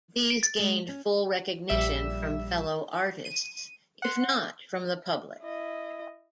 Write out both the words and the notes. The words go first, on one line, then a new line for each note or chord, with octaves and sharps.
These gained full recognition from fellow-artists, if not from the public.
D7
A6
G#3
C#4
A#1 G3 E5 E7
D#7
F#5 C6
E4 D#5